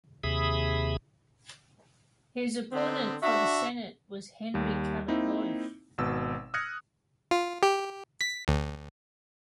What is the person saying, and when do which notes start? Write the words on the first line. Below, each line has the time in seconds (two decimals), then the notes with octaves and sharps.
His opponent for the Senate was Henry Cabot Lodge.
0.24 D#2 C3 G#4 E5 B5 D#6
2.72 D3 B3 C4
3.23 D4 F#4 E5
4.54 D#2 G3
5.08 A#3 C4 D#4 E4
5.98 G#1 B2 E6
6.54 D#6 F6 F#6 G#6 A#6 C#7
7.31 F4
7.63 G4
8.21 B6
8.48 D2